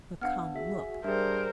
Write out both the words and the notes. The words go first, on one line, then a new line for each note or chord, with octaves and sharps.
But, come--look!
B3 D4 F5 F#5 F6
F#4 G#4 E5
G3 D4 G#4 A#4 C5 E5